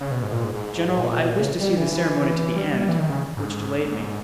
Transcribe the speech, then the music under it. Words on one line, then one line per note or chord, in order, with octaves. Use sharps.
"General, I wished to see the ceremony to the end, which delayed me."
C#3
B2
G#2
A#2
G#2
G#2
A#2
B2
A#2
B2
A#2
C#3
G3
E3
E3
G3
G3
E3
D#3
C#3
G#2